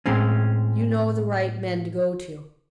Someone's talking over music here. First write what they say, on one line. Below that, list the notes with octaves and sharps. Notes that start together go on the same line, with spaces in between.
You know the right men to go to.
A2 G#3 C4 C#4